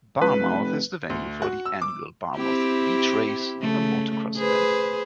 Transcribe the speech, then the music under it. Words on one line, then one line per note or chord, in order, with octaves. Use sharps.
Barmouth is the venue for the annual Barmouth Beach Race, a motocross event.
C#2 B4
F1
D2
F#4
E6
D6
C4 E4 G4
C#3 A3
G#4 B4 C5